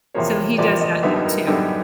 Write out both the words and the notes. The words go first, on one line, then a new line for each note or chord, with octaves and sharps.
So, he does that now too.
E2 C3 F3 A#3 C#5
E2 C3 F3 A#3 D5
D#5
F#2 D3 G3 B3 D#4 E5
A#4
F#2 D3 G3 B3 D#4 A4